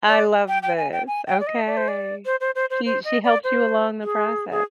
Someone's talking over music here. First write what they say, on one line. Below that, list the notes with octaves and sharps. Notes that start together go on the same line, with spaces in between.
I love this. Okay. She she helps you along the process.
D5
G5
G5
G#5
G5
G#5
G5
D5
D#5
D5
C5
D5
C5
C5
C5
C5
C5
D#5
D5
C5
G#4
G#4